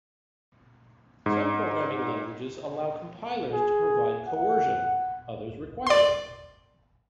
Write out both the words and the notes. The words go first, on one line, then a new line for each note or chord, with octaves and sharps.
Some programming languages allow compilers to provide coercion; others require it.
G#2
G#4
F#5
D5 C6